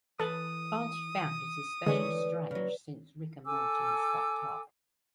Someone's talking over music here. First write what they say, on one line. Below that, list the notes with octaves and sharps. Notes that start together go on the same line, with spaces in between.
Plante found it especially strange since "Rick and Morty" is "fucked up".
E3 A4 B4 A5 D#6
D3 E3 G#3 A3 B4 C#5 D5
C#3 F#3
A4 G#5 D6 E6